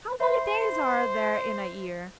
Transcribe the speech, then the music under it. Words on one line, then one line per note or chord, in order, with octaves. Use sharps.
'How many days are there in a year?'
C5 E5 B5 C6